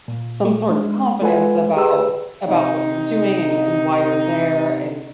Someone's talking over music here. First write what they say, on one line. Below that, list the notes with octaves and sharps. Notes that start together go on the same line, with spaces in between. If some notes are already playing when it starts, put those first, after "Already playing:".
some sort of confidence about about what you're doing and and why you're there, and
A#2
G#3 D4
G#3 F4 A4 B4 F#5 G#5
G4 G#4 B4 E6
C3 D#4